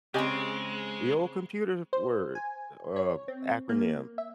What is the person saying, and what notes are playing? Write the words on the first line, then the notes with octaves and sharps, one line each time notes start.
The old computer word or, um, acronym,
C#3 G#3 C4 G4 D#5 G#5
C5
G#5
C#5
C4
A#3
E5